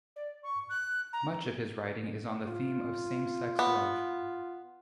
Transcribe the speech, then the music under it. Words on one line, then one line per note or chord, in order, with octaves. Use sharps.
Much of his writing is on the theme of same-sex love.
D5
C#6
F#6
A#5
F4
B3